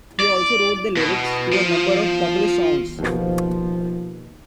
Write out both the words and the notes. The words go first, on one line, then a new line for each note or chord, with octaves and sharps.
He also wrote the lyrics to a number of popular songs.
D5
B2
F3
D#2 B2 F3